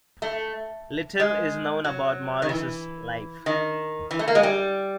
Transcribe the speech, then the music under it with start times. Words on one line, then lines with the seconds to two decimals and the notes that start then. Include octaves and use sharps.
Little is known about Morrice's life.
0.22 A3
1.20 G#3
1.84 F#3
2.42 D#3
2.49 E3
3.46 D#3
4.11 E3
4.19 A3
4.28 A#3
4.35 G#3
4.43 G3